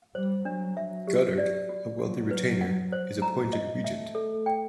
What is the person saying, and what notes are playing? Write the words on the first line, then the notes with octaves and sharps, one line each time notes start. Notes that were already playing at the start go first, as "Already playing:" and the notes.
Godard, a wealthy retainer, is appointed regent.
G3 C5
F#3 D4
F#3 E5
G4
D5
F#4
F#3 F#4
B4
F#5
C5
A3 A#5
A#3 D#5
A3 E5
A4
G5